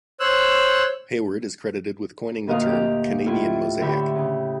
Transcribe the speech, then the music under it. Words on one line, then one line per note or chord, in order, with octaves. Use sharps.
Hayward is credited with coining the term "Canadian mosaic".
C5 C#5 E6 F#6
D2 A#2 F#4 A#4 D#5 F5
G4 F6
A2 E4 F4
D3 G4 C#5 E5 B5
C#3